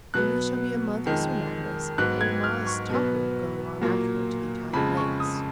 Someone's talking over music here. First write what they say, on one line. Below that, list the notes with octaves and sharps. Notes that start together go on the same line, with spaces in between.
"We shall be a month with Sir Magnus; but mamma is talking of going on afterward to the Italian lakes."
B2 F#3 B3 F#6
F2 D#3 G#3
G#2 F#3 B3 F#6
G#6
F6
C#6
B2 F#3 B3
A#2 F#3 A#3
F2 C#3 G#3 B5
C#6
D#6